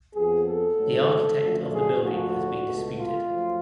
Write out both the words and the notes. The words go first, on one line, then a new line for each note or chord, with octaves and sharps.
The architect of the building has been disputed.
F2 F3 B3 G#4
A4
G#2 F#3 A3
F#2 D3 F3 A3
G#4
D2 D3 F3 A3 F#4
C#2 B2 A3
F4
F#2 F3 A3